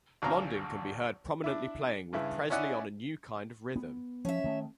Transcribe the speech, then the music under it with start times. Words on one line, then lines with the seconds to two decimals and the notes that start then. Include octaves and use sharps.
Londin can be heard prominently playing with Presley on A New Kind Of Rhythm!
0.22 G#1 D2 G#4 F5 A#5
1.44 D4 E4
2.13 G2 C#3 E4
2.50 C#4 D#4 E4 D5 F#5 G#5
3.76 B3
4.25 F3 C#4 E5
4.44 D#3 A3